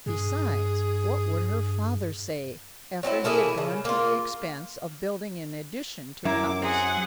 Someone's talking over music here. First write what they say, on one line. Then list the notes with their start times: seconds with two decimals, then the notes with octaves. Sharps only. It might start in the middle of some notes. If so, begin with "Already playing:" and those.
Besides, what would her father say, after he had gone to the expense of building an addition to the house?
0.06 G2 G#4
3.03 F#3 C4 D4 E4
3.24 A3 A#3 E4 G#4
3.58 C#3
3.85 A#3 F4
6.25 F#2 E4 A#4 D6
6.62 C4 G#4 F#5